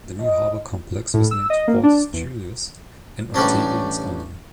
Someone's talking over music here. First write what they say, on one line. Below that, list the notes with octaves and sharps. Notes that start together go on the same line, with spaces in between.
The new harbor-complex was named Portus Julius in Octavian's honour.
D#5
A2
E6
D#5
A#3
D4
E2
A1 G3 C#4 D4